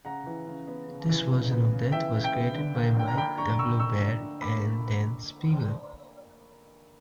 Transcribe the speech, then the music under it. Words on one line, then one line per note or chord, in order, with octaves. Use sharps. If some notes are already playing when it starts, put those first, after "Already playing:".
This version of Death was created by Mike W. Barr and Dan Spiegle.
C#3 F#5 A#5
E3
C#3
B3
C#3
E3
C#3
B3
C#3
E3 E5 G5
C#3
E5 G5
B3
D3
A#3
D3 G5
A#5
D4 G5 B5
D3 A#5 C#6
A#3 C#6 E6
D3 C#6 E6
D4
D3
A#3 B5 D6